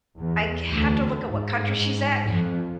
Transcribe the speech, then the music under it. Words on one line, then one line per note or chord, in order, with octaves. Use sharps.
I c have to look at what country she's at.
E2
D2
G#2
F2